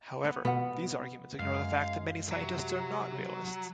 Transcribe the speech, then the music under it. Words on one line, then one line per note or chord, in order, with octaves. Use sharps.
However, these arguments ignore the fact that many scientists are not realists.
B3
B2 B3 F4 F#5
F#2 G#3 F5
C3 F#3